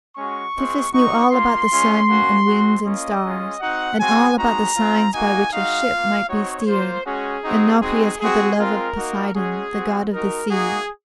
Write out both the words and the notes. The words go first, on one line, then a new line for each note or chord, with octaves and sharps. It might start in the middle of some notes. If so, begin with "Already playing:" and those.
Tiphys knew all about the sun and winds and stars, and all about the signs by which a ship might be steered, and Nauplius had the love of Poseidon, the god of the sea.
G#3 C#4 F#4 C#6
G#3 C4 F4
C4 D#4 F#4 C#6
A#3 F4 C6
G#3 C#4 F4
A#3 C#4 F#4
G#3 C4 F#4
A#3 C#4 F4 D#5
G#3 C#4 F4
C4 D#4 F#4 F#5
G#3 C4 F#4 G#5
G#3 C4 D#4 F#4 A#5
C4 F4
A#3 D#4 F#4 G#5
G#3 D#4 F#4 F5
A#3 F4
C4 D#4 F#4 C#5
A#3 F4 C5
G#3 C#4 F#4 G#4
C4 D#4 F#4
G#3 C4 D#4 F#4 G#4
G#3 C4 F#4 G#4
G#3 C4 F4 A#4
A#3 D#4 F#4
G#3 C#4 F#4 G#4
C4 F#4
G#3 D#4 F#4 A#4
A#3 D#4 F#4 G#4